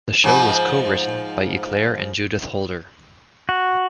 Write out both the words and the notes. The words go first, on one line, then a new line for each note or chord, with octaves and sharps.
The show was co-written by Eclair and Judith Holder.
G#2 F3
F#4